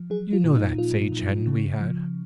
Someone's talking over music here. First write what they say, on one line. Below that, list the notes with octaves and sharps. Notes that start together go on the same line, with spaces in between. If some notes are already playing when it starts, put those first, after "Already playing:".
"You know that sage hen we had?"
Already playing: F3
F#3 G#4
F4
A#2
D#4
A#2 F4
A#2
C#3
F3